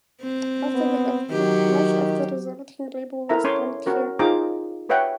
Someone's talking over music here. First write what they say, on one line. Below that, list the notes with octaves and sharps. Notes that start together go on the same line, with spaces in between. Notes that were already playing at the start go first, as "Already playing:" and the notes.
After the earthquake, much of the resulting rubble was dumped here.
C4
B3
D#3 F#3 G4
E4 A4 A#4 E5 A#5
C#4 C#5 C6 D6
C#4 F#4 A#4 C5
D#4 F4 G#4 C5 A#5 D6
G4 B4 C#5 E5 F#5 G5